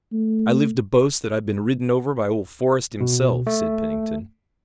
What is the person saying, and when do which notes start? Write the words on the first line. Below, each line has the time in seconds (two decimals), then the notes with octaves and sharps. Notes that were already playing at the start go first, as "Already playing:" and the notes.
"I live to boast that I've been ridden over by old Forrest himself," said Pennington.
0.13 A3
3.00 B2
3.47 A3